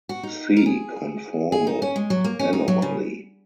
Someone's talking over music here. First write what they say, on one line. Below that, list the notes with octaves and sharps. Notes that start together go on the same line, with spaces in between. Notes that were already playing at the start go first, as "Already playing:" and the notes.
See conformal anomaly.
F#4
D#4
A#4
G#4
G#4
D#4
C#4
G#3
F#3
A#3
C#4
D#4
F#3
C#3